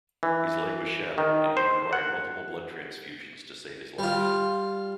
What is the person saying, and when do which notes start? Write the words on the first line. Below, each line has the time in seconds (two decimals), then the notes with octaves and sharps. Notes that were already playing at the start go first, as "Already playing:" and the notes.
His leg was shattered and he required multiple blood transfusions to save his life.
0.23 E3
1.18 D#3
1.57 C5
1.93 F#5
3.99 G3 F4